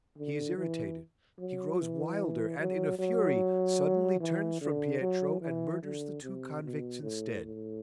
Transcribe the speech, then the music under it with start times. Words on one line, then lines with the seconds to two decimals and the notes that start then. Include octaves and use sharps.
He is irritated, he grows wilder and, in a fury, suddenly turns from Pietro and murders the two convicts instead.
0.18 D3
0.58 E3
1.39 F#3
1.79 E3
2.59 F#3
2.99 F#3
4.20 E3
4.61 D3
5.01 F#3
5.41 E3
5.83 D3
6.23 C3
6.64 B2
7.03 A2
7.44 A2